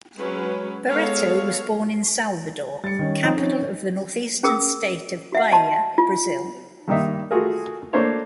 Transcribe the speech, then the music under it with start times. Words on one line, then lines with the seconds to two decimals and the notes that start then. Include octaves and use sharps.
Barreto was born in Salvador, capital of the northeastern state of Bahia, Brazil.
0.16 F#3 G#3 C#4 B4
0.87 G#3 B3 A4 C#5 F5
2.84 G3 A6 C#7
2.99 D#3 C#4
3.24 F3 C4 D#4
3.37 C#4
4.43 C#4 G#4 A#4 D#6 E6
5.32 F#4 E5 F#5
5.52 D#5 A5 C6
5.98 F4
6.88 G2 D#3 A#3 D#4 E5
7.31 A3 F4 F#4 G#4 A#4
7.93 A3 A#3 D4 C5 C#5